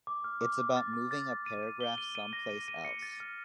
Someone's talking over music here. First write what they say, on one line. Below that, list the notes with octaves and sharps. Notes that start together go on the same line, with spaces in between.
It’s about moving a paragraph someplace else.
D6
F6
D6
D6
A6
D6
A6
A6
D#7
D#7
G7
D#7
D#7
A#6
D#7
D#7
C#7
A6
F6